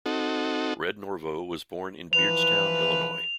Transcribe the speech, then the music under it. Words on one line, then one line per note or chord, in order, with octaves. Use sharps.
Red Norvo was born in Beardstown, Illinois.
C4 D#4 F#4 A4
E3 F3 B4 F7